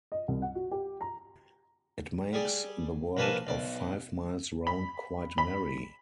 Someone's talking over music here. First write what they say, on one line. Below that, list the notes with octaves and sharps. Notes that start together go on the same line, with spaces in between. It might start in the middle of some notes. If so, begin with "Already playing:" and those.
It makes the world of five miles round quite merry.
D#5
C2
F#5
F#4
G4
A#5
G3 G#4 D5
A#1 A#3 B4 G#5 A5
B1 D5
B5
B5